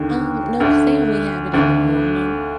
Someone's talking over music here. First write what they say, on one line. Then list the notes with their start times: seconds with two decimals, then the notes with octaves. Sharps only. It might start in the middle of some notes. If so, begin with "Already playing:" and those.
Um, no, 'cause they only have it in the morning.
Already playing: D#2 D3
0.60 D2 D3
1.53 D2 D3